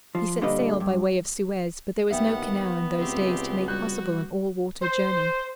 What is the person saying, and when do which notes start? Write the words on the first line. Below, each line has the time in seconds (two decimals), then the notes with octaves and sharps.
He set sail by way of Suez, but there was no canal in those days to make possible an all-water journey.
0.15 F3
0.41 A#2 D3 G3 B4 D#5
0.80 G2
2.11 D#2 B3 E5 F#5 G5
2.98 C#2 C4 G4
3.68 G3 F#4 F#6 G6
4.82 C5